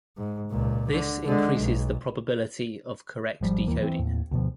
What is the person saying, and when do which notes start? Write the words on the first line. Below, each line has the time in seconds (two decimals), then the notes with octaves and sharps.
This increases the probability of correct decoding.
0.17 G#2
0.50 C#2 A#2
0.89 D3
1.26 D3 G#3
1.59 B1
3.41 G#1 F3 G3
3.68 D#2 E3 A#3
3.80 E3 G#3 C4
3.99 D#2 A2
4.31 D2 B2 F3